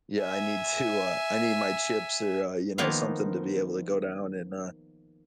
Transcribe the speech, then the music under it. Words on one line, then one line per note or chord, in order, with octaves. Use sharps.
Yeah, I need to, uh I need my chips or, uh, you know, something to be able to go down and, uh
E5 G#5
D#3 F3 A#3 B3 F4 F5